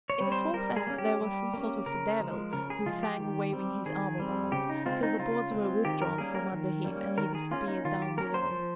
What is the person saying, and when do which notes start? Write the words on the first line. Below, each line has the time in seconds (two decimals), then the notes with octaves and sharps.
In the fourth act there was some sort of devil who sang waving his arm about, till the boards were withdrawn from under him and he disappeared down below.
0.10 C#5
0.20 G3 C4
0.32 C5
0.53 G3 A#4
0.76 G#4
0.87 A#3 C#4
0.98 G4
1.20 G3
1.54 A#3 C#4
1.86 C#3 A#4
2.20 F3 G#3
2.53 C#3 A#4
2.70 G#4
2.86 F3 G#3 F4
3.03 G4
3.20 D#3
3.53 G3 C4
3.86 D#3 G#4
4.20 G3 C4
4.52 C#3 G4
4.69 D#4
4.86 G#3 C4 F4
5.03 D#4
5.19 C#3 F4
5.51 G#3 C4
5.85 D#3 G4
6.02 A#4
6.18 G3 A#3 C#4 G#4
6.35 A#4
6.52 D#3
6.85 G3 A#3 C#4
7.18 D#3 A#4
7.35 G#4
7.51 A#3 C#4 F4
7.68 D#4
7.84 D#3 F4
8.02 G4
8.17 A#3 C#4 A#4
8.34 C5
8.51 F3